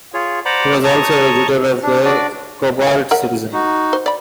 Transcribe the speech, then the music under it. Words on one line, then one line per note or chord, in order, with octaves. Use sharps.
He was also editor of the Cobalt Citizen.
F4 G#4 C#5
C5 D5 F#5 A#5 B5 D6
C#5 A5 A#5 C#6 D#6
D4
D4 F#4 D5
F5 G#5
A#4 E5 F#5
D#4 F#4
C5
D5 B5